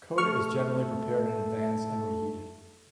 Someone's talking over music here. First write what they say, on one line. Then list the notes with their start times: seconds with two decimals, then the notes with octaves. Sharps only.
Coda is generally prepared in advance and reheated.
0.18 A3 A4 C#6 F6